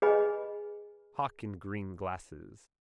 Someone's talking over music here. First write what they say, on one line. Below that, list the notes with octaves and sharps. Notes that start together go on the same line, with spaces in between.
Hock in green glasses.
G#4 B4 D#5 G#5 B5